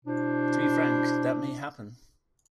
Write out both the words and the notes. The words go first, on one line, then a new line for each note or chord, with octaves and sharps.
To be frank, that may happen.
B2 D4 E4 C5